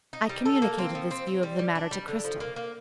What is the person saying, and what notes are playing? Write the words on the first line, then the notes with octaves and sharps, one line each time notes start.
I communicated this view of the matter to Cristel.
D#4
G3
A4
A#3
C4
F3
C4
C4
G3
G3
D4
G3
D3
F3
A#3
A#3